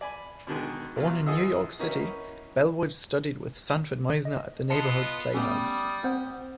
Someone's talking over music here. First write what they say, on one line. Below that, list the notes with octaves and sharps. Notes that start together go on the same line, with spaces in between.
Born in New York City, Bellwood studied with Sanford Meisner at the Neighborhood Playhouse.
D5 G#5 B5
B2 D3 D#3 G#3
B2 F#3 E4 F4
E3 F3 G#4 D#5 F#5 E6
A#3 C#4 D#4 E4 F#4 B4
D#5
B3 F4 D#5 A5 C#7
G3 A3 B3 C#4 D#6
C4 C5 F#5